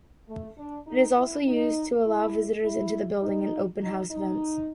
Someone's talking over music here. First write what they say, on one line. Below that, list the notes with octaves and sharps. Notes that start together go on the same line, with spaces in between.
It is also used to allow visitors into the building in open house events.
A3
D4
D#4
E4
D#4
E4
E4
D#4
D#4
D#4